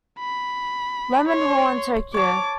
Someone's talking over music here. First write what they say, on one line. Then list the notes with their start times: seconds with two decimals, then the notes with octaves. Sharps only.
Lemon Hall in Tokyo.
0.19 B5
1.28 C#5 C6
2.14 C#5 A5 D6